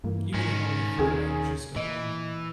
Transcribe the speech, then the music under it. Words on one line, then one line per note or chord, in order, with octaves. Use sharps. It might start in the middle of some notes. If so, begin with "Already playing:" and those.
Even if only for, like, just a moment.
G2 E3 A#3
G#2 D#3 C#4 G#5 A#6 C#7
D#2 C#3 G#4 G#6
A#2 E3 D#5 D7